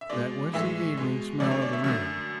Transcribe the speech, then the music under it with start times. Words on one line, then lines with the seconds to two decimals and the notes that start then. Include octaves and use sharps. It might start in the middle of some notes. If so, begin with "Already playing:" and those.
That was the evening smell of the room.
0.01 E5
0.10 B2 G#3 D5
0.53 A2 E3 G#3 E5
0.97 B2 G#3
1.40 F#2 D3 A3 D5
1.51 C#5
1.62 D5
1.73 E5
1.84 F#2 D3 A3